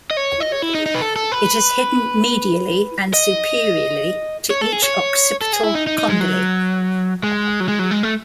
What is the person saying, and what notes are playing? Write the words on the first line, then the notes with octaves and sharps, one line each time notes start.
It is hidden medially and superiorly to each occipital condyle.
D#5
C#5
D#5
C#5
E4
D#4
D#4
B4
A4
A4
B4
D#5
C#5
A4
G#4
C#5
A4
G#4
E4
D#4
D#4
D#4
G#3
F#3
G#3
F#3
G#3
F#3
G#3
A3